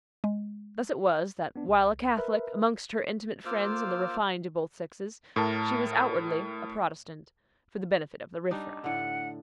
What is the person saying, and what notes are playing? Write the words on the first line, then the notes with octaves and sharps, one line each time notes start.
Thus it was that while a Catholic amongst her intimate friends and the refined of both sexes, she was outwardly a Protestant for the benefit of the riffraff.
G#3
B3 D4
C2
A#4 B4 E5
A#3 F4 C5 D6 E6 F6
A2 A#4 A5
G3 D4 D#4
A2 D3 F#5